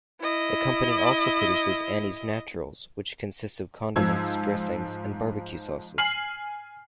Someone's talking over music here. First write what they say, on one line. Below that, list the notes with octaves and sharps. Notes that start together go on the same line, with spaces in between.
The company also produces Annie's Naturals, which consists of condiments, dressings, and barbecue sauces.
E4 D#5
G#2 F3 E6 G#6
G#5 F6 C7 F#7